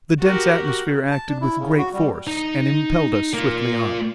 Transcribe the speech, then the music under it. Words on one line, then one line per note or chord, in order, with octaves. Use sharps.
The dense atmosphere acted with great force and impelled us swiftly on.
F#4 G4 A#4
A5
D4
E4
C#3
F#4
G3
D#4 A#5
A#3 F4